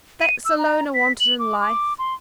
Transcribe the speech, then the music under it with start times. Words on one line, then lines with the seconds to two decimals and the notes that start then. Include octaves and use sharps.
Facts alone are wanted in life.
0.21 D#7
0.45 E6
0.59 A#5
0.94 B6
1.20 F#7
1.39 D6
1.60 D6
1.99 C6